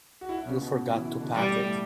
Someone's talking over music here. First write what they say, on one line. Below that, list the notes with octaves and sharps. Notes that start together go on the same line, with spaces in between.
You forgot to pack it.
F#4
E4
D4
C#3 C#4
B2 B3
E3 E4
E3 E4
D3 D4
B2 G3 B3
A2 A3
A2 A3